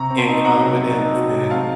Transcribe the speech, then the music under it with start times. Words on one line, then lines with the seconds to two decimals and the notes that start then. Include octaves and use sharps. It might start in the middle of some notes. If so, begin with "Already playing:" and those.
incompetence and
Already playing: C3 A#5 C#6
0.10 C4
0.18 A5 C6
0.28 D#4
0.45 F#3 F#5 A#5
0.63 C3
0.81 C4
0.98 D#4
1.15 F#3
1.33 C3
1.50 C4 F5 A5